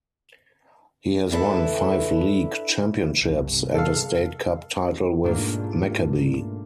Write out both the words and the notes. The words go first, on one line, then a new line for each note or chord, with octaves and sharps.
He has won five league championships and a State Cup title with Maccabi.
D4 E4 A4 B4
G1 C2
A4 F5
G#2 B2 A3 A#3 D4 F4